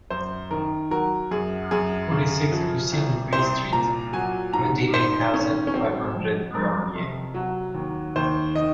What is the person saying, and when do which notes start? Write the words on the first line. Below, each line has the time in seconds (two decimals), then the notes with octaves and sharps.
Forty-six Lucien Dupuis Street, twenty-eight thousand five hundred Vernouillet.
0.10 F#2 C5
0.51 D#3 A#4
0.91 F#3 A#4
1.31 F#2 G#4
1.71 F#2 G#4
2.12 C#3
2.52 F3
2.92 C2
3.32 C2 C5
3.72 A#2 A#5
4.13 F#3 G#5
4.53 G#2 A#5
4.93 G#2 C5
5.34 D#3 C#4
5.67 C#4
5.74 F#3 C4
6.15 F2
6.55 F2 A#4
6.95 C3
7.34 F#3
7.75 D#2
8.16 D#2 C5
8.55 D#3 D#5